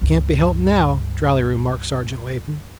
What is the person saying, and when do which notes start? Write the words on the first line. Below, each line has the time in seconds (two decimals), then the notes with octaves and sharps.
"Can't be helped now," dryly remarked Sergeant Latham.
0.01 C#2 G2